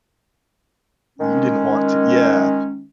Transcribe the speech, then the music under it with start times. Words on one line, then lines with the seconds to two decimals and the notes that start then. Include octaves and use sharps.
you didn't want to" Yeah.
1.19 D#3 G#3 C#4